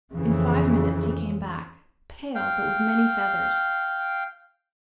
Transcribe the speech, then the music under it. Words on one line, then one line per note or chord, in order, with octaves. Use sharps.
In five minutes he came back - pale, but with many feathers.
F2 C#3 E3
F5 G5